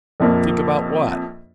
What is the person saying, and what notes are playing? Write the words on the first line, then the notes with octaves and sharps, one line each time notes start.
"Think about what?"
A#1 F2 A#3